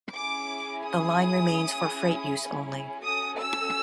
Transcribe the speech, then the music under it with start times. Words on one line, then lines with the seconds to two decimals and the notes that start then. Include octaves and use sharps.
The line remains for freight use only.
0.14 C#4 E4 G#4 D6
0.86 D#6
3.03 C#4 F#4 A4 D#6
3.40 E6